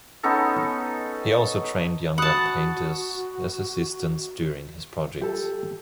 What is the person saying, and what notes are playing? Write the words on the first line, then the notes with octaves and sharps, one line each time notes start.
He also trained younger painters as assistants during his projects.
B3 C#4 D#4 A4
F#4 F#5 A5 B5 D#6 F#6
G4 A4